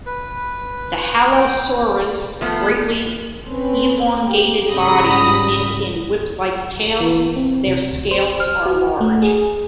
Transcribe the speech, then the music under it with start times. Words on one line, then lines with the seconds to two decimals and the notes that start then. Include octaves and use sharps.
The halosaurs' greatly elongated bodies end in whip-like tails; their scales are large.
0.06 B4
1.34 G5
2.41 F3 A3 B3
3.46 C4 C#4 B4
4.26 G4
4.71 G#2 C#3 G3 B5 D#6 A#6
7.01 E3
7.36 C4
7.67 C3
7.92 D2
8.11 C5
8.40 F6
8.66 F#4
9.01 A3
9.22 G#4